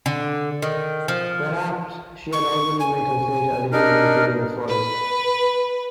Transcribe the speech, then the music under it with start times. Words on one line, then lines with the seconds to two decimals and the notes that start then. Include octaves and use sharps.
Perhaps she had already met her fate a little deeper in the forest.
0.06 D3
0.62 D#3
1.08 F3
2.33 C#6
2.80 G#5
3.72 D4 D#4 A#4 F6
4.69 B4